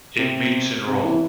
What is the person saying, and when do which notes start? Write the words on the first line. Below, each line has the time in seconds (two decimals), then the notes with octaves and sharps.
It meets in Rome.
0.19 C3
0.87 C3
1.04 E3